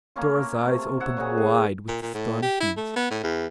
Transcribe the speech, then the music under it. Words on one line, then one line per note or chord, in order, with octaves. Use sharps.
Dora's eyes opened wide with astonishment.
A3 A#3 C#4 F4
A#4
C3 A3
C#5 E5 F#5
A#2 C#3 F#4 G#4
G#4
A#2
A#2
A2
G4
E4
A3
B3
A2
E2